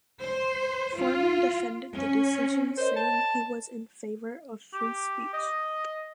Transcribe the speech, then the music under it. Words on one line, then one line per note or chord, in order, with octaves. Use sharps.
Forman defended the decision saying he was in favour of free speech.
C5
F4
C#4
A#4 C5 C#5 D#5
A5
G4
D#5